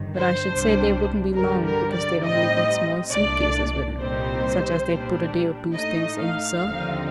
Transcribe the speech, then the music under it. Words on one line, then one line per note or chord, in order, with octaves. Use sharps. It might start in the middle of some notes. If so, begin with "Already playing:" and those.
"But I should say they wouldn't be long because they'd only got small suit-cases with them--such as they'd put a day or two's things in, sir."
Already playing: G1 G2 D#3
C5
C2 C3 G3 D4
G2 D3 G3 A#4
A#4
D5
A2 G3 C4 D#4 D#5
C2 A#2 A3 D4 D5
C2 A#2 G3 C4 D#4 C5
A#2 G3 D4
A2 A3 D#4 D#5
F5
D#2 D3 F3 C4 D#4